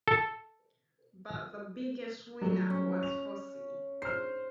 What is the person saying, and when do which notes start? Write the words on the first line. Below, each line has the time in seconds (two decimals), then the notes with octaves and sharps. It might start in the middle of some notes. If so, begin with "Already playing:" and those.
But the biggest winner was Fosse.
0.08 A4
2.41 F#3 G3 A3
2.70 C#4
3.03 F7
4.02 C5 F6 C7